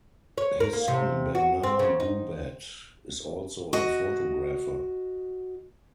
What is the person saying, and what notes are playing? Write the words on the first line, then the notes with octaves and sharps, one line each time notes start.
His son Bernard Boubat is also a photographer.
C#5
A#4
A#3
C3
F#4
C4
C#3
D#4
F#4 D#5